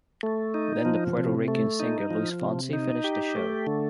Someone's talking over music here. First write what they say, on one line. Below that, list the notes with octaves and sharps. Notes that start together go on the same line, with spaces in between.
Then the Puerto Rican singer Luis Fonsi finished the show.
A3
D#4
F3
C3
A3
D#4
F3
C3
D#4
G4
A3
D3